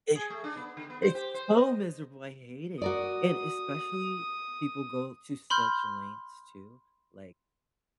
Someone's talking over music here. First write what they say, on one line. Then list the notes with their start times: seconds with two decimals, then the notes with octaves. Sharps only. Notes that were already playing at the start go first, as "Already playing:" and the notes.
Exactly, it's so miserable! I hate it, and especially people go to such lengths, too, like,
0.15 G#4
0.30 A3
0.44 D4
0.57 B3
0.77 D3
0.90 B3
1.02 C5
1.15 G4
1.34 C5
1.56 D#5
2.82 F#4 A#4 D5 D#6
5.50 B5 C6 F6 G6